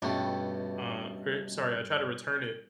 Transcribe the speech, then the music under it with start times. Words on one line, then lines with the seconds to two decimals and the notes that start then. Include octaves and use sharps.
Uh, I sorry, I tried to return it
0.02 C#2 G2 B2 A3